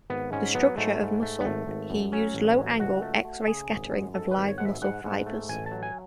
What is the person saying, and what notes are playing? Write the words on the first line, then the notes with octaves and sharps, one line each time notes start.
The Structure of Muscle, he used low-angle, X-ray scattering of live muscle fibers.
G#1 B3
G#2 C#4
F#3 B3
G#2 A3
G#2
A3
B3
G#1 A3
G#1
F#2
F#3 C#4
A1
F#3
C#2 F#4
A3
A3
C#3 G#4
G#1
F#2
G#2 A4
B4
G#1
C#5
G#2 F#5
E5
G#2 F#5
G#2
A3
A1 G#5
A5
F#3
G#5